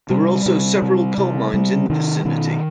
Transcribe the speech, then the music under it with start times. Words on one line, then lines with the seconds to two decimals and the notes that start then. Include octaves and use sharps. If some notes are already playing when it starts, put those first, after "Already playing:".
There were also several coal-mines in the vicinity.
0.10 C3 G3
0.46 C3
0.82 C3
1.18 C3
1.54 C3 G3
1.90 C3 D#3
2.25 B2 D#3